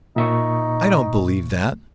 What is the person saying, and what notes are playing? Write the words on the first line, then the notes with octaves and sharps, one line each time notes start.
"I don't believe that."
A#2 D#4 E5 C#6